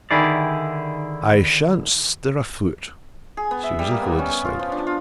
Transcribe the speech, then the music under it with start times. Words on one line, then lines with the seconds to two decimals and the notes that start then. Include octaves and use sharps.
"I shan't stir a foot." She was equally decided.
0.11 D3 D#3 E4 G4 G#4 D5
3.37 G#4
3.51 B3
3.63 E5
3.79 G3
3.91 A#3
4.02 B3
4.19 C#4
4.45 F4
4.59 F3
4.72 D4
4.87 F4